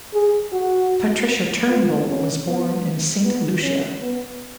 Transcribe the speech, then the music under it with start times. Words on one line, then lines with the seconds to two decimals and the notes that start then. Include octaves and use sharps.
Patricia Turnbull was born in Saint Lucia.
0.14 G#4
0.53 F#4
1.70 F4
2.09 C#4
2.46 B3
3.25 B3
3.63 C#4
4.02 B3